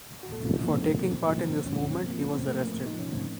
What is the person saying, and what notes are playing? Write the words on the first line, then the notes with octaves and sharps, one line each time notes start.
For taking part in this movement he was arrested.
F#4
A#2 A4
F4
F3
D#4
A#3
A#2 C4
A3
F3
A#3
A#2 C4
A#3
F3
C4
A#2 C4
C#4
F3
C#4
A2 C4
A#3
F3
C#4
A2 C4
A3
F3
A#3
C4
A2 A#3
D#4
F3
C#4
A2 C4